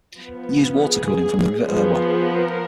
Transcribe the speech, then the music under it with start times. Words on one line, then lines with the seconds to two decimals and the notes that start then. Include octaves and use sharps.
It used water for cooling from the River Irwell.
0.16 F3 B3
0.88 G#4
1.62 F3 B3 G#4
2.35 A#4